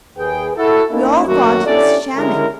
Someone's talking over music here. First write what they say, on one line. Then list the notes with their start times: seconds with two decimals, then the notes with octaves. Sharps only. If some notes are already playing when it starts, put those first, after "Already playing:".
We all thought he was shamming.
0.18 D#2 G#4 B4 G5
0.56 E4 F#4 A4
0.90 A#3 C#4 D#4 E4
1.26 F#2 D#3 F#3 A3 A#3 F#4
1.66 C#4 D4 E4 G4 A4 D5
2.16 D3 G#3 C#4 E4 G4 A#4